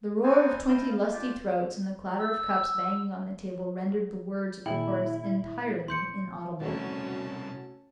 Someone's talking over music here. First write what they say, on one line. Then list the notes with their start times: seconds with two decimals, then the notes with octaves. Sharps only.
The roar of twenty lusty throats and the clatter of cups banging on the table rendered the words of the chorus entirely inaudible.
0.23 B3 C4 D#4 A4 C5 G#5
0.68 E4 D#5 F5 G5 A5
0.91 F5
1.12 D4 F4 G4
2.18 E6
3.89 G4 G#4
4.66 A#2 D#3 A#3 E4 G5
5.88 C6 G6 C#7
6.61 C2 B2 A3 C#4 F#4 A5